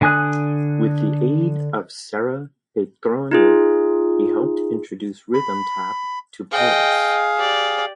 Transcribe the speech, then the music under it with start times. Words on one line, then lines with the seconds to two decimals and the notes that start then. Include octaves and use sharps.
With the aid of Sarah Petronio, he helped introduce rhythm tap to Paris.
0.01 D3 D4 G#5 D#6 F#6
3.31 D#4 F4 G#4
5.34 B5
6.52 G#4 D#5 F5 G5
7.36 G4 D5